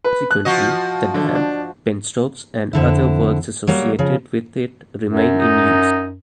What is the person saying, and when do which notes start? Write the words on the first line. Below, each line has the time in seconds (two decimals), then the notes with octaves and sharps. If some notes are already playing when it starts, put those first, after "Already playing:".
Consequently, the dam, penstocks and other works associated with it remain in use.
0.04 B4
0.31 F#6
0.45 F3 F#4 D#5
1.14 D3
1.35 D4
2.73 F2 D3 E4
3.67 F#3 G3 A#3
3.99 C#3 F3
5.08 F#2
5.41 D#4